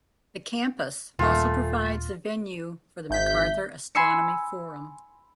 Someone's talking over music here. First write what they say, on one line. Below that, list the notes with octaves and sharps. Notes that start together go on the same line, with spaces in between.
The campus also provides the venue for the Macarthur Astronomy Forum.
D#1 A#2 A3 F4
G#1 E5 G6 B6
G#5 B5 C6 E6 C7 C#7